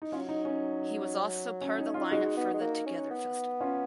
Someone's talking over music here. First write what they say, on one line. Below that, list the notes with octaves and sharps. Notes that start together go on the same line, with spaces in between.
He was also part of the lineup for the Together Festival.
D#4
F#3 C#4 F4
D#4
C#4
C#4
D#4
C#4 F4
G#3 D#4 F#4
B3
G#3
A#3
C#4
B3
C#4 F4